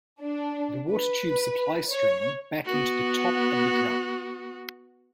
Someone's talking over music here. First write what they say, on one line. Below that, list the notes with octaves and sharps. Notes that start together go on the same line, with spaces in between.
The watertubes supply steam back into the top of the drum.
D4
B4
C#5
B3 F#4